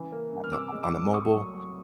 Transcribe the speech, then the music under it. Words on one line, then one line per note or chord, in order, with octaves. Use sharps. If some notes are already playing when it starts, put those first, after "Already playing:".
on the on the mobile.
Already playing: C#3 E3
A#3
G2
F6
C3 D6 E6
G#3
D6 E6
C2
A3 C#6 D#6
F#3
F#3